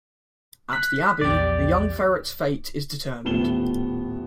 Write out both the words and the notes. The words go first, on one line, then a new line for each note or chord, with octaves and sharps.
At the abbey, the young ferret's fate is determined.
F#6 B6
A#1 E2 G4 D5
D#1 A2 B3 E7 G7